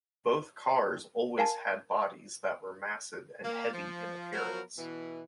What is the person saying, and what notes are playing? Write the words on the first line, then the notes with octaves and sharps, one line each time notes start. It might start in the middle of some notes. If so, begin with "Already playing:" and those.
Both cars always had bodies that were massive and heavy in appearance.
A#4 F5 G#5 A5
A#3
F3
F3 F#3 B3 F#4 A#4
B2 E3